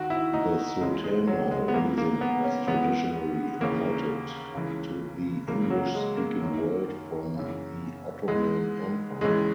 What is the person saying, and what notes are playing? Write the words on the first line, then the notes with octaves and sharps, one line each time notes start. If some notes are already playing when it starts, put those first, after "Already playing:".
The sultana raisin was traditionally imported to the English-speaking world from the Ottoman Empire.
Already playing: D#2 D#3 F#4
E4
D#4
C#2 C#3 E3 G#3
G#3
F#3
G#3
B3
G#2 E3 A#3
A#3
B3
C#4
G#2 E3 B3
D#2 C#3 E3 A#3
C#2 C#3 E3
C#2 C#3 E3 A#3
F#3
G#3
A#3
F#2 D#3
F#2 C#3 E3
G#2 E3 G#3
E2 C#3 E3 G#3